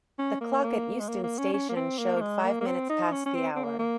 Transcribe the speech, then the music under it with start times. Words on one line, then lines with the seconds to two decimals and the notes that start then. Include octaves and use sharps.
The clock at Euston Station showed five minutes past the hour.
0.19 C#4
0.41 A#3
0.64 A#3
1.00 G#3
1.08 A#3
1.24 A#3
1.38 C#4
1.53 C#4
1.69 A#3
1.76 C4
1.98 A#3
2.16 A#3
2.21 G#3
2.44 A#3
2.61 A#3
2.66 C4
2.89 D#4
3.12 C#4
3.26 C#4
3.34 C4
3.56 C4
3.64 A#3
3.79 A#3